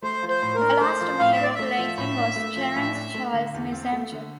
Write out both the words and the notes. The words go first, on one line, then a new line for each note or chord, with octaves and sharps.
The last Mayor of Leyton was Terence Charles Messenger.
A3 C5
F3
C5
A2
A#4
D4
A3 C5
F3
A2 F5
E5
D4 D5
A3 E5
F3
A2
D4
A3
F3
A2
D4
A3
D3
E2
C4
A3
D3